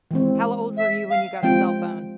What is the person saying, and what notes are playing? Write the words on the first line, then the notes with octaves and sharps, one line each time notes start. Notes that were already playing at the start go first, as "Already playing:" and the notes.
How old were you when you got a cell phone?
E3 G#3 C4
E5
F5
F3 G#3 C4 F4 G5